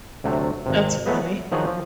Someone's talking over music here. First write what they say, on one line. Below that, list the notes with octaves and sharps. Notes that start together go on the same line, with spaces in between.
That's funny.
D2 C3 F#3 A3
G#1 C3
F#3 A3 B3 G#4 B4 D#5
F#5
D#3 F3 F#3 F#4 G#4
F3